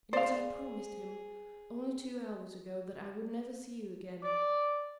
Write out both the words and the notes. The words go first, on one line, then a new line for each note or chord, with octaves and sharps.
And yet I promised him, only two hours ago, that I would never see you again.
G#4 C5 D5 F5
D5